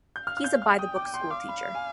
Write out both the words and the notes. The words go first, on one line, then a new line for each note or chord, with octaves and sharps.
He's a by-the-book school teacher.
G6
F5 F6
F6
G6
F6
G5 D#6
D6
C6
F5 D6
B5
G#5